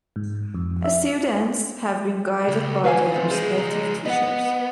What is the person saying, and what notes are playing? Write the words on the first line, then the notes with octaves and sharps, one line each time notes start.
Students have been guided by the respective teachers.
G#2
F2
E5
C#2
D#3 E3 B4 F5 G#5
A3 C4
F3 G#3 G#4
D#4 G#4
B3 D#5 F#5